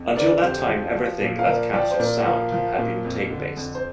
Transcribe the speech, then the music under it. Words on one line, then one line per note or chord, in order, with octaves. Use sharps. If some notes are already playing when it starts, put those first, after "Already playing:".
Until that time everything that captured sound had been tape-based.
Already playing: F2
D3 A#4 D5
F2 G4 C5
F3
F3
A#2
F5
F3 A#4 D5
F3 D5 G5
C5
A#2 A#4 D5
F3 F4 A#4
F3
A#2
F2
D3
F2
C5